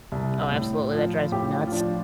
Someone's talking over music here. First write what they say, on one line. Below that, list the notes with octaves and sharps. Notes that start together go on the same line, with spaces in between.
Oh, absolutely. That drives me nuts.
C2
A2
F3
A2 G4
F4
F3 D4